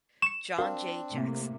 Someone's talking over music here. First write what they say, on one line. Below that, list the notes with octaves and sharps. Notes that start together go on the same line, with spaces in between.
John Jay Jackson.
C#6 C#7 E7
C4 D4 F#4 A#4 F5
A2 C3 A#3